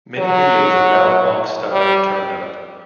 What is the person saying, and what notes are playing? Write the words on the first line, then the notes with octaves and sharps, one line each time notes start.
Many videos of ballot box stuffing turned up.
F#3
G3